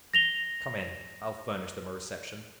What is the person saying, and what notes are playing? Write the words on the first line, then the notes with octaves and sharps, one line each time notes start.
Come in; I'll furnish them a reception.
A#6 F7 G7